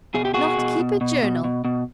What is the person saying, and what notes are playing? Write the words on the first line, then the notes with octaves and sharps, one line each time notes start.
Not keep a journal!
B2 G#4
G4
B2 F#4 G#4
B2
B2
B2
B2
B2
B2